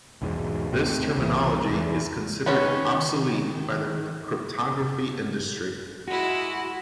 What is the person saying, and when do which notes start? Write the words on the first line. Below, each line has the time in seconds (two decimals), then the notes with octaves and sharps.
This terminology is considered obsolete by the cryptography industry.
0.22 B1 E2 G#2
0.73 D#2 A2 C3
1.17 C2 C3 E3
1.70 E2
2.46 D#3 B3 C#4 C#5
6.08 G#3 E4 F#4